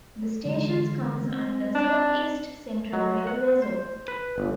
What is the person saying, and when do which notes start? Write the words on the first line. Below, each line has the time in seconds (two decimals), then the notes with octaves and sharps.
The stations comes under South East Central Railway Zone.
0.45 D3 E3 G#3
1.25 C4
1.75 D4
2.93 F#3
3.27 F#5
3.62 C5
4.08 B4
4.38 G1